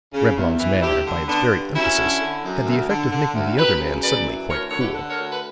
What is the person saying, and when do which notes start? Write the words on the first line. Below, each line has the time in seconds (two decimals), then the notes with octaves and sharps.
Reblong's manner, by its very emphasis, had the effect of making the other man suddenly quite cool.
0.14 C#3
0.37 E2
0.60 E3
0.82 G2 E4 G4
1.06 D3
1.28 D3 B3 D4
1.51 G2
1.74 F#2 C#4 E4
1.97 D3
2.20 D3
2.43 F#2
2.66 D2
2.88 D3
3.11 D3
3.34 D2
3.57 F#2 G4 B4
3.80 C#3
4.03 F#2 B4 D5
4.26 E3
4.49 D2 A#4 C#5
4.69 D3 C#5
4.79 G4 B4
4.95 D3
5.10 A#4 C#5
5.17 D2
5.31 B4